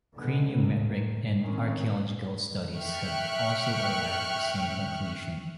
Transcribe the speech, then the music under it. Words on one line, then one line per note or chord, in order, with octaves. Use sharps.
Craniometric and archaeological studies have also arrived at the same conclusion.
B2 D3 G#3 B3
D#2 A2 D#3
F#2
D#3 C4 C#4
E5 G5 C#6 F6 F#6